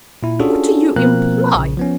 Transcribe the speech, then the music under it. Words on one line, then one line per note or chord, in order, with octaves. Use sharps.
What do you imply?
A#2 E4
C#4 D4 F4 F#4 G#4 A4
B2 F3 A#3 C4 A#4 F#6
A#1 C#3
F3 B3 C#4